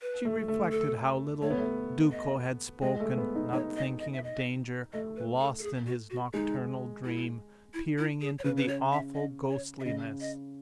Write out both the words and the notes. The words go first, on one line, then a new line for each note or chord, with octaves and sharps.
She reflected how little Duco had spoken, not thinking of danger, lost in his nocturnal dream, peering into the awful ghostliness.
B4
A3
A3
A4
A3 C#5
B3
A3
D#5
G#3 D#5
A3
B3
D#4
D#4 C#5
D#5
D#5
E5
D#5
A3 D#5
B4
A4
A4
G#4
F#4
F#4
G#3 D#4
E4
E4
E4
G#4
C#5
C#3 B4
B4
C#5
E5
D#5
C#5
E5
C#3 D#5
D#5